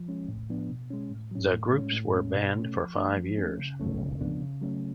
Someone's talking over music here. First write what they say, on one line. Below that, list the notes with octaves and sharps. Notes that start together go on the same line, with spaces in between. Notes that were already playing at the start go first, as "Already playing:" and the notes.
The groups were banned for five years.
Already playing: F3
G#3 C#4
A2
F3 B3 D4
B2
G#3 C#4
A2
F#3 C#4
A2
G#3 C#4
A2
G#3 C#4
B2
A3 C#4
F3
A3 D4
F3
A3 C#4
C#3
F#3 A3 C#4
C#3
F3 B3 D4
C#3
F#3 A3 C#4